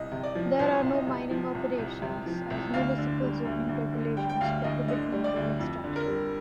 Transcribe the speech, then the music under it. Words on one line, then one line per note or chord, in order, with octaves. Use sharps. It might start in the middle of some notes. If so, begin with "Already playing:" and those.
There are no mining operations, as municipal zoning regulations prohibit mineral extraction.
Already playing: C2 D#5
C3
D5
F3
C2 C5
C2
D#5
C3
F3
C2
C2
C3
F3
C2
D2 F5
D3
G3
D2
D2
D3
G3 G5
G5
D2 F5
D2 D#5
D3 D#5
G3
D5
D2
F2
D3
A#4
G3